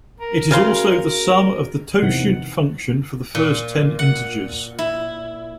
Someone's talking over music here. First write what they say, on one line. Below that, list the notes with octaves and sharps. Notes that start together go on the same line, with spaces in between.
It is also the sum of the totient function for the first ten integers.
A#4
C#3 F#4 G#4 F5 C6
E2 C3 D#3 F#5
A#2
F#5
E4